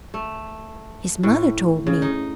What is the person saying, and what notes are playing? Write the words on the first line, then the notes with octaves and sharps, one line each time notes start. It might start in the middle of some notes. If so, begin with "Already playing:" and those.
His mother told me.
A3
A2
C#3
D#4